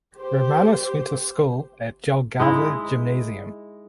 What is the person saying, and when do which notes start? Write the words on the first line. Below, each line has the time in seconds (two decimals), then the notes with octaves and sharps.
Romanas went to school at Jelgava Gymnasium.
0.17 G4 C5
2.40 G#3 D#4 E4